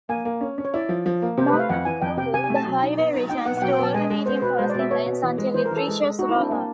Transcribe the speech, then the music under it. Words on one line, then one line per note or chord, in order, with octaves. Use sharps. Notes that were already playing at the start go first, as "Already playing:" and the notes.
North of Cabool, the highway returns to alternating passing lanes until it reaches Rolla.
A#3 G#5
A#3
C#4
C#4
C#5
E4 D5
F3
F3
A#3
C3 C5
B4
A3
F5
F2 F#5
E3 G#5
F2 G5
C3 G5
C3 G#5
G#5
A3
A5
F#3
D#4
B3
D#4
D#4 G5
B3 F#5
F#5
F#3 G5
G5
B3 A5
G#3 G#5
D#5
G#3
B3 C5
B2 B4
G#3 C5
D5
B2 E5
B3 C#5
B2
E3
G#3
E3 C5
A#4
E3
A4
G#3
G#3
D#4 F#4
E4
C4
D4
A#3 D4